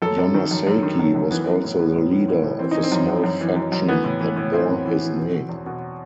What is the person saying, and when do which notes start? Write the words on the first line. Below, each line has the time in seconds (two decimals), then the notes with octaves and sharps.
Yamasaki was also the leader of a small faction that bore his name.
0.02 F#2 A4
0.18 F#2
0.34 D#3
0.51 F#2
0.67 F#2
0.83 D#3
0.99 F#2
1.15 F#2
1.31 E3 B3
1.47 E3
1.64 A2
1.80 E3
1.96 A2
2.12 A2
2.28 A2
2.43 A2
2.59 E3 C4
2.71 E3 D#4
2.84 C4
2.92 F#2
3.09 F#2
3.24 F#2
3.41 E3
3.56 F#2
3.72 F#2
3.88 E3 B3
4.04 A2
4.21 E3
4.36 A2
4.53 E3 C4
4.69 A2
4.86 E3
5.01 E3
5.17 B2
5.34 B2
5.49 E2
5.66 B2